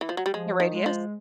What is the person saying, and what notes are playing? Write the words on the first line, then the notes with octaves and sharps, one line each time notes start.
The radius.
E3
F3
F#3
G3
F3 G#3
D#3
G#3
F3